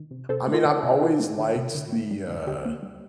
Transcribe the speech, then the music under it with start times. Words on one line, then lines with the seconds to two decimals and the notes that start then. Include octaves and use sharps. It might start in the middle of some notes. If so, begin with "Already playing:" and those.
I mean, I've always liked the, uh
Already playing: D#3
0.11 C3
0.29 C3 A4 C5
0.48 A3
0.54 F4 A4
0.65 D#3
0.83 C3
1.01 C3 F4
1.20 A3
1.39 D#3
1.56 C3
1.75 D3
1.92 A#3
2.11 G3
2.29 D3
2.47 D3 G4
2.66 A#3
2.83 G3